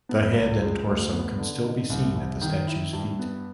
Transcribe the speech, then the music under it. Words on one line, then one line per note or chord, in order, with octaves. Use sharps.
The head and torso can still be seen at the statue's feet.
B3
C#2
G#3
D2
B3
D3
D#4
C2
C2
D#3
E4
G2
B3